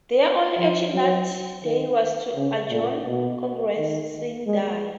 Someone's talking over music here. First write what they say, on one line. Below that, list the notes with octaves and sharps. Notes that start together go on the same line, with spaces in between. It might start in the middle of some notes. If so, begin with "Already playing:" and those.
Their only action that day was to adjourn Congress "sine die".
F3
F#3
D#3
C#3
A#2
B2
D#3
G#3